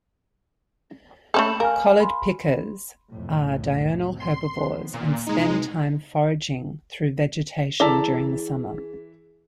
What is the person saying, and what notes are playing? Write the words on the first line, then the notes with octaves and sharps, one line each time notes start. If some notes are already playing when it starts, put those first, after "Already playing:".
Collared pikas are diurnal herbivores and spend time foraging through vegetation during the summer.
A3 C#4 A4 B5 E7 F#7
A#4 F5 G#5 F6
B5 C6
C2 F2 A2
C6
D#2 F3 B3
A#2
C3 E3 G#3 B3 D#4
E3 E4 G#4 A4 D5 A#5 B6